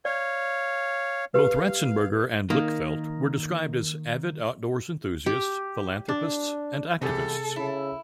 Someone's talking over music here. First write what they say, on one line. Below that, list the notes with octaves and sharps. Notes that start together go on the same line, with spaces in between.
Both Ratzenberger and Blichfeldt were described as "avid outdoors enthusiasts, philanthropists, and activists".
C#5 D5 F5
G4 B4 F5
D#3 A#3
G4
D4
E2 C3 G3 G#4 A4
C#3 E4